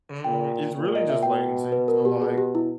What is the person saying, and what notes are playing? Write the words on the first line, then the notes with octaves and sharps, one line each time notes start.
Mm, it's really just latency so, like,
A#2 G5
A#2
D#5
E5
B2 G5
B4
A#4
G4
G#4
G4
E4